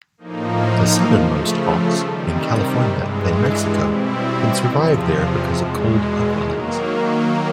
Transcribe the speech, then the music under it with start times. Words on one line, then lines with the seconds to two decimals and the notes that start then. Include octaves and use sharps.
The southernmost auks, in California and Mexico, can survive there because of cold upwellings.
0.18 A2 F3 A#3 D#4
1.07 C#3 F3 A3
1.95 C3 D#3 G3
2.84 G2 E3 G#3
3.72 B2 G3 C4 E4
4.61 E2 C3 F3
5.49 E2 B2 G#3
6.38 D#3 F#3 A#3